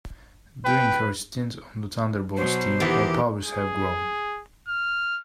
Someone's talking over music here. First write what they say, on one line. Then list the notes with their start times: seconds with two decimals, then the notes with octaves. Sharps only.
During her stint on the Thunderbolts team, her powers have grown.
0.65 B4 G5
2.37 B2 F#3 C5
2.80 E2 D#3 E3 G4
3.44 G#4
4.68 F6